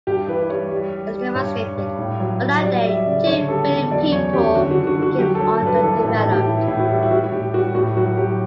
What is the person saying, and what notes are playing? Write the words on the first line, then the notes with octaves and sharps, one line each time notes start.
Esteva stated: On that day two billion people became underdeveloped.
G2 G4
E3 B4
G3 C#5
G3
G3
G3
G2 C#5
G2
G2
A2
F#3
F#3
G3 D5
G3 E5
C#3 D5
D3 C#5
G3 A4
E2
F#3 D5
F#2 C#5
F#2 G4
D3 F#4
F#4
D3
F#4
D3 F#4
F#3 G4
A4
F#3
G2 B4
E3 A4
A4
A2
A4
A2
G4
E3 E4
A2 E4
F#4
G3
E4
G3 F#4
A2 G4
G3 F#4
A2 F#4
F#3 F#4
F#3 G4